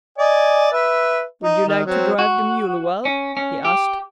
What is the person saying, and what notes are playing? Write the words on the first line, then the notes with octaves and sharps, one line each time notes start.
"Would you like to drive the mule awhile?" he asked.
D5 D#5 G#5
B4 E5
D#4
D#3
F#3 C4
F#4
C#4
C#4
G4